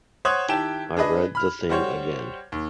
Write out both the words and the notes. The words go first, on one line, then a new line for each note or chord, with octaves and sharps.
I read the thing again.
C5 C#5 F#5 D#6 F#6 G#6
D#3 E4 G4 G5 A5 E7
D4 G#4 B4 D#5
B5 F6
G3 F#4 C5 C#5
D#2